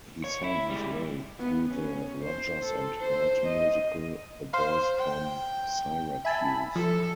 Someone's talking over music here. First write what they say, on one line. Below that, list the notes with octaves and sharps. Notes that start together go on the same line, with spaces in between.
He sang his way through the Rodgers and Hart musical "The Boys from Syracuse".
C#5
E4
G3 G#3
B3
C#4
C5
A4
C5
D#5
C5 F5 C6
G5
E5 G#5 A5 B5
F3 A4